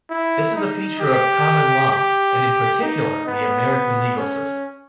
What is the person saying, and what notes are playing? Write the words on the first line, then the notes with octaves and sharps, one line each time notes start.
This is a feature of common law, and in particular the American legal system.
E4
D#4
G4
G4
D#4
B3
C#4